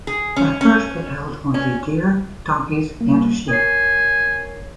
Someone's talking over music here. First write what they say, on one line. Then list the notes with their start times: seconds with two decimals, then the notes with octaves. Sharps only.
At first, it held only deer, donkeys, and sheep.
0.07 G#4
0.36 C#4
0.61 C#4
1.54 C#4
3.01 G3 A#3
3.49 A#4 C#5 G#5 C7